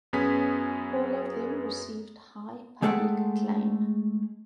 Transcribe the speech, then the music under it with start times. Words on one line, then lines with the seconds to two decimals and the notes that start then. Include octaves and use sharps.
All of them received high public acclaim.
0.13 F#2 B3 C#4 G#4 G#5 B6
2.82 G#3 A3 G#4 A4 F#5 G5